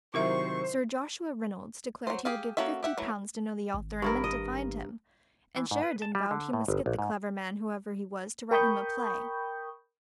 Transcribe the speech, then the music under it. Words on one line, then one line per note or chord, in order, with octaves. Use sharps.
Sir Joshua Reynolds declared he would give fifty pounds to know the author and meant to find him, and Sheridan vowed he must get the clever man, whoever he was, to write him a play.
C3 D#3 F#3 E4 A#4 C5 E5 C#6
F#3 C5
G4 G#4 F5
A#3 C#4 F#4 A4 E5
G4 E5 F#5
E3 F#3 A3
G#1
G2 E4 A#4
D#5
E3
G#2
B4
A5
G3
D3
A2
G1
A#1
G#2
A#4 G5 B5 C#6 D#6 G6